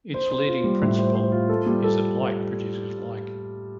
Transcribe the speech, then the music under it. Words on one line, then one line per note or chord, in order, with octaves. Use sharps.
Its leading principle is that like produces like.
C5
C5
F4
G3
A2
C5
C5
F4
A4
G3
A4